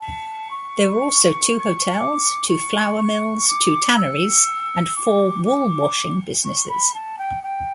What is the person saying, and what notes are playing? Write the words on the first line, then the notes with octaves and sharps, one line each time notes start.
There were also two hotels, two flour mills, two tanneries and four wool-washing businesses.
A5
C#6
D6
C#6
C#6
D6
E6
D6
D6
C#6
B5
A5
G5
G5